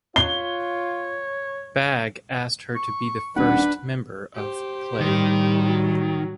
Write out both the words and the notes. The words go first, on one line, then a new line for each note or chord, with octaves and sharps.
Bagge asked her to be the first member of Play.
F4 C#5 G7
C#6
D#1 D4 B4 F#5
G4 C5
A2 D#3 G3
F#3